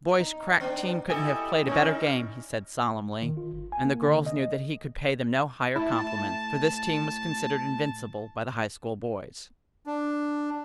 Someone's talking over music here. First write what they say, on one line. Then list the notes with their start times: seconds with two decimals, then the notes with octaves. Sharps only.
"The boys' crack team couldn't have played a better game," he said solemnly, and the girls knew that he could pay them no higher compliment, for this team was considered invincible by the High School boys.
0.20 D#4
0.60 B3 D4
1.10 E4 G4 A4 D#5 G#5
1.67 G3 C#4 D#4 A#4
3.22 D#3
3.37 F4
3.53 G1
3.72 G#5
3.85 A#3
4.08 D3
4.26 D#5
5.76 A2 E4 A5
9.87 D4